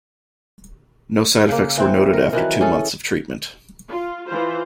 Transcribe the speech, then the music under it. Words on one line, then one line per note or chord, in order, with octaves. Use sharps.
No side effects were noted after two months of treatment.
C#3 A#3
E3 C4 C5
A#4
D#3 E3 F#3
C#4 G#4 A4
F4
E3 F4 C5